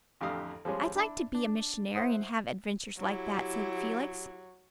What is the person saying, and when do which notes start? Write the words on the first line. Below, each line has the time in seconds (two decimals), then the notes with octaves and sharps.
"I'd like to be a missionary and have adventures like that," said Felix.
0.21 A1 F2 D3 G4 F5 D#6
0.65 F3 G3 G#3 C#4
0.96 D4 E4 B5
1.34 D4
1.96 E4 C5 F#5 D#6
2.98 F#3 E4 G4